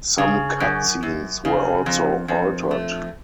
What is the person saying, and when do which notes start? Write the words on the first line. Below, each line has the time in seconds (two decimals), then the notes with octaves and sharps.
Some cutscenes were also altered.
0.18 C#3
0.60 F#2
1.03 F#2
1.45 C#3
1.86 F2
2.28 F2
2.71 A3